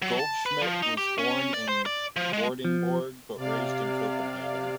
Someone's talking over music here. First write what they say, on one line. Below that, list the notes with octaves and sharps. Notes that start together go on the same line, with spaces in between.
Goldschmidt was born in Vordingborg but raised in Copenhagen.
F#3
A5
B4
F3
D#4
G4
C#4
D5
C5
D5
F3
G#3
F3
C3 D5 F5